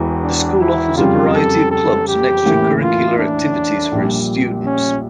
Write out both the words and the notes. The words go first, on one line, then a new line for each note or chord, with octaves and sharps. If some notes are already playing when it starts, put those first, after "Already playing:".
The school offers a variety of clubs and extra curricular activities for its students.
Already playing: E1 E2 E3
D4
E4
F2 C#3 G3 F4
A4
A4
G4
A1 A2 E3 A#3
F4
D4
A#1 A#2 G3
C#4